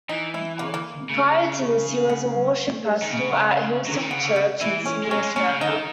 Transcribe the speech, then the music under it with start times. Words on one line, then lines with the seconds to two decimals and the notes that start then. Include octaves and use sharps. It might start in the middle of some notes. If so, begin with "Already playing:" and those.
Prior to this he was a worship pastor at Hillsong Church in Sydney, Australia.
0.09 E3 D#4
0.34 E4
0.59 A#3
0.74 A#3
1.09 C#3
2.10 B3
3.02 D#3
3.10 C#3
3.86 F#3
3.95 E3
4.02 D#3
4.10 C#3 B3
4.36 B3
4.61 E3 E4
4.86 C#4
5.03 G#3
5.11 F#3 C#4
5.23 G#3
5.36 F#3 C#4
5.49 C#3
5.61 D#3 D#4